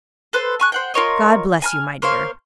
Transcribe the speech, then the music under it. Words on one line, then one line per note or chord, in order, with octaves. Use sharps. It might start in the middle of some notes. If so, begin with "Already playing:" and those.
God bless you, my dear!
A4 B4 C5
G#5 C#6 F#6
C5 F#5 G5
F4 A#4 C#5 D#5
G#5 A#5 F6
A#3 C5 C#5 F5